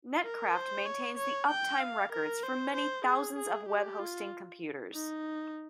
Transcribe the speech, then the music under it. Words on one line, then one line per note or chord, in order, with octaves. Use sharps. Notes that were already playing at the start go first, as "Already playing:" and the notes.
Netcraft maintains the uptime records for many thousands of web hosting computers.
A#4
C5
C#5
C#5
G5
F5
A#4
C5
C5
G#4
G#4
G4
F4
D#4